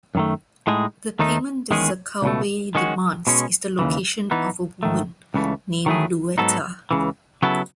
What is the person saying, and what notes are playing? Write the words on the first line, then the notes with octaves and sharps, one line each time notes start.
The payment that Zakalwe demands is the location of a woman, named Livueta.
F#2 D#3 A3
A2 G#3 D#4 G#4
D#2 D#3 A3 D#4
E2 D#3 G#3 C#4 G#4
C#2 B2 A3
D#3 G#3 C#4 F#4
B2 G#3 C#4
D#2 C#3 E3
E3 B3 D#4
G#2 D#3 A3
C#2 C#3 E3 A3
D#3 F#3 A3 E4 G#4
G#2 F#3 B3 D#4 A4
C#2 C#3 E3
C#3 F#3 B3 E4 A4